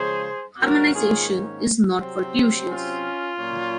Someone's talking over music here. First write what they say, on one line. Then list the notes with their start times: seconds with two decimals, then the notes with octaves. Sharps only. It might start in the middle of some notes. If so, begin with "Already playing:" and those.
Harmonization is not fortuitous.
Already playing: C#3 F3 G#3 G#4 C5
0.59 G#2 D#3 A#3 C#4 F#4 A#4
0.94 F4 G#4
1.99 C3 F#3 C4
2.68 C#4 F4
3.39 A#2 F#3 C#4